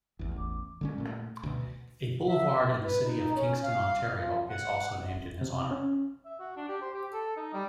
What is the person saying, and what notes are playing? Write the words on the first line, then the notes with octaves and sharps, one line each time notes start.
A boulevard in the city of Kingston, Ontario, is also named in his honour.
A1 E2
D3 G#3 C#4
A#2 A3
D2 B2
E5
B4
D#4
C#4
F5
F3
F#5
C3
C#4
E5
F#4
D4
G4
C5
G4
A4
D#4
G3